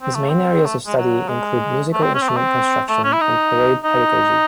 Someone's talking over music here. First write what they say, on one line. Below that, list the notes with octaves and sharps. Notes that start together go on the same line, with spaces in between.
His main areas of study include musical instrument construction and parade pedagogy.
C4
A3
C4
A3
G#3
F#3
G#3
A3
C4
C#4
C4
A3
C4
A3
C#4
E4
D#4
D#4